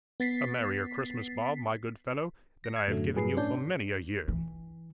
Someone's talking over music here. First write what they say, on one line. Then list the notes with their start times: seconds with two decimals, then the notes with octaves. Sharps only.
'A merrier Christmas, Bob, my good fellow, than I have given you for many a year!
0.20 B3 A6 B6 C7
2.64 A#6
2.76 G#6
2.88 F#2 A2 D3 F#3 A3
3.15 G2 F#3 G#4 B4 C7
3.37 A2 C#4 D4 D5 G6
4.28 E3